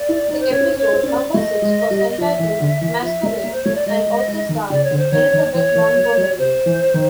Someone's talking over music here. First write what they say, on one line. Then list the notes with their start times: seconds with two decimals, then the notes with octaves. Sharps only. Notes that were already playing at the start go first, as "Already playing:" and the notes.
The episode, number six, was entitled "Masquerade" and also starred Elizabeth Montgomery.
Already playing: D5
0.09 E4
0.30 D#4
0.40 C5
0.51 C#4 C#5
0.61 C4
0.72 C#4
0.78 C#5
0.93 C4
1.03 C#4 D5
1.13 C4
1.34 A3 D#5
1.62 G#3
1.90 G3
2.10 D#5
2.18 F3 E5
2.39 E3
2.60 D3
2.81 E3
3.02 F3 E5
3.23 A3
3.44 A#3
3.53 C5
3.64 A3 C#5
3.74 D5
3.86 G#3 D#5
4.07 G#3
4.28 G#3
4.49 D#3
4.70 C#3 D5
4.84 C#5
4.91 D3
4.97 C5
5.11 D#3 C#5
5.33 D#3
5.54 E3 C#5
5.75 E3
5.96 F#3
6.17 F#3
6.38 C3 C5
6.66 E3
6.94 D#3